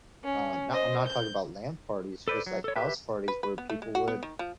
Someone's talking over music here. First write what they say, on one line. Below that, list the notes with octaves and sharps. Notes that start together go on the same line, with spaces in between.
Um, nah, I'm not talking about land parties, just, like, house parties, where people would
C#4
C5 D#5
G6
A4 B4 C5 D5
F#3
A4 C#5
G4 B4 E5
B4
B4
B3
A3
G#3
F#4
B3
D#3
F3